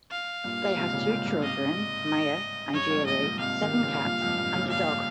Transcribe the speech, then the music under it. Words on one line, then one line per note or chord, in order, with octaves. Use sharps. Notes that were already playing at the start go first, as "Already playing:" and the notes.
They have two children, Maya and Uri, seven cats and a dog.
F5
G2 A#2
G#2 C3
A#2 C#3
G#2 C3
G2 A#2
G#2 C3 D#5
G2 C#5
F2 G#2
G2 A#2 D#5
G#2 C3
G#2 C3 F5
C3 D#3
A#2 C#3
G2 A#2
F2 G#2
G2 A#2
A#2 C#3
G2 A#2 F5